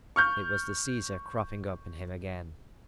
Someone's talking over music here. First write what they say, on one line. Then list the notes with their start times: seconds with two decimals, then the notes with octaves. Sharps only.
It was the Caesar cropping up in him again.
0.16 C#6 F6 G6